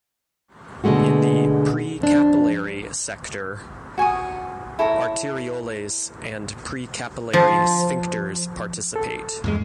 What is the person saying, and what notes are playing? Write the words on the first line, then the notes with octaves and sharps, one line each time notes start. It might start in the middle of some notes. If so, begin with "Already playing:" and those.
In the pre-capillary sector, arterioles and precapillary sphincters participate.
B2 D3 G#3 A3 F#4
F2 D4
F#4 G#5 C#6 D#6
E4 A4 C#5 A#5
F3
A4
E2 G2 G#3